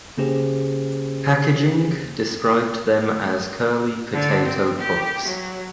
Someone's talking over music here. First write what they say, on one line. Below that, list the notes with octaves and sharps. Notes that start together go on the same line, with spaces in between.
Packaging described them as "curly potato puffs".
C#3 A#3 C#4 G4 G#4 C5
D3
C4
G4
F#3